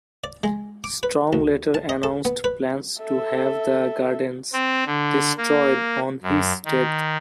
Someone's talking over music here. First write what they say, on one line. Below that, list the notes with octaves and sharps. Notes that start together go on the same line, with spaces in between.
Strong later announced plans to have the gardens "destroyed" on his death.
D5
G#3
D6
B4
D2
A5
D#5
A4
B3
B4
A4 E5
C4
D3
A#3
F#2
D#3